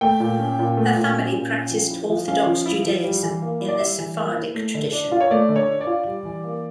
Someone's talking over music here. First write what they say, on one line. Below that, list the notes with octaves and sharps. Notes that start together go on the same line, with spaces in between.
Her family practiced Orthodox Judaism in the Sephardic tradition.
A3 G5
A#2
C#4
A#2
A3
A#2
C#4
A#2
C#4
F3
E4
F3
C#4 F5
F3
E4
F3
G3
E3
A#3
E4
D5
G3 E5
E3
A#3
E4
A3
D3
D4
F4
C#5
A3 D5
D3
C#5
D4
D5
F4
G3
E3
A#3